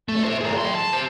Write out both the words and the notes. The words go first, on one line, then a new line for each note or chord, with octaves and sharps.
Changed my life.
A3
C5 E5
G#4 A#4
F#3 C6
A5
G4 C5